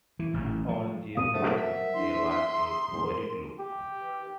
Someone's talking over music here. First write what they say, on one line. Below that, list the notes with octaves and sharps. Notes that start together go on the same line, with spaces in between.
And on Jip’s face there was a worried look.
E3
A1
F3
F5 D#6 D#7
F#3 A3 A#4 C5 F#5
E5
D4 E4 C6
A#5 D#6
A#4
G4